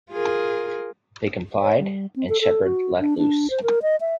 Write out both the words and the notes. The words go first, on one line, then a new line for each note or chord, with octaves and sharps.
They complied and Shepard let loose.
F4 G#4 A#4
C#5
G3
C4
A4
A4
F#4
D4
D4
C5
A#4
D#5
E5